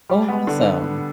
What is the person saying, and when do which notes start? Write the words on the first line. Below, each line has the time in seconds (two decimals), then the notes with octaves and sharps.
Oh, awesome.
0.09 G3
0.29 B3
0.47 D3